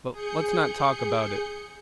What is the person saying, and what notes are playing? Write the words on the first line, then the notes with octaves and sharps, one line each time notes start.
But let's not talk about it.
G#4 G6 C#7